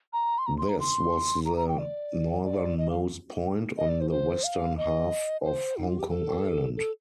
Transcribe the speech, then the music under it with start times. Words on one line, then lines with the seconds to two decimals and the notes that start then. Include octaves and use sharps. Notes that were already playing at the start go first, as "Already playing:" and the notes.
This was the northernmost point on the western half of Hong Kong Island.
0.13 A#5
0.38 C6
0.46 A#5
0.58 C6
0.69 A#5
0.80 C6
1.45 A#5
1.57 A#5
1.68 G5
1.78 D5
2.45 D5
2.78 D#5
2.90 F5
3.77 D#5
3.89 D5
4.00 C5
4.10 C5
4.44 F5
4.77 D#5
5.44 C5
5.77 D#4
5.88 F4
5.99 G4
6.09 A4
6.76 A4